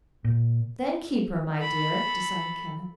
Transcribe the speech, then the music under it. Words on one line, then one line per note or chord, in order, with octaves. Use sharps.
"Then keep her, my dear," decided Kenneth.
A#2
A4 B5